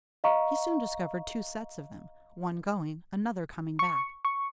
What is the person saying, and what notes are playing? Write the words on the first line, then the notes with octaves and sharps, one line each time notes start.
He soon discovered two sets of them--one going--another coming back.
D#5 F5 A#5 C#6
C#6
C#6